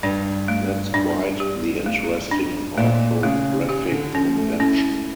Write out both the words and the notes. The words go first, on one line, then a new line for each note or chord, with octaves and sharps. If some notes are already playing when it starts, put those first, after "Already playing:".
That's quite the interesting orthographic convention.
G2 D4
A3
G2 D4
G4
A3
D4
A#2 A3
C#3 A3
C#3 G4
E3
D3
F3 C#4
A3
C#4 E4